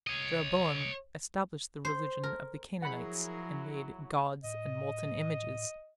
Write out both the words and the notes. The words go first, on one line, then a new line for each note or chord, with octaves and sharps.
Jeroboam established the religion of the Canaanites and made "gods and molten images".
C#5 D#5
C5
A#4
F3 F#3 E4 G#4 A#4 F#5 B5
A2 D#5